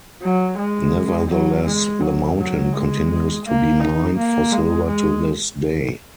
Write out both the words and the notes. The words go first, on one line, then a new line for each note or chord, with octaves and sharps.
Nevertheless, the mountain continues to be mined for silver to this day.
F#3
G#3
F#3
G#3
F#3
F#3
G#3
A#3
D#4
A#3
G#3
G#3